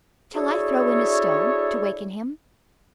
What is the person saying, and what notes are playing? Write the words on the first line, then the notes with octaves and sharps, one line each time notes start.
"Shall I throw in a stone, to waken him?"
D4 E4 F#4 G#4 A4 C#5